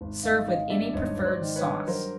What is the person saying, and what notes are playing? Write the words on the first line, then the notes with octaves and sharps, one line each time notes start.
Serve with any preferred sauce.
G#1
G#1 D#5 F5
D#3 D#5 F5
G2 D5 E5
G#1 C#5 D#5
G#1
C5 D5
D#3
B4 C#5
G2
F#3 A#4 C5